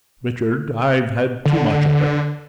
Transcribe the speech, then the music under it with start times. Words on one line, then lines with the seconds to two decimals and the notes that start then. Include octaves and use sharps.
"Richard, I've had too much of it!"
1.46 D3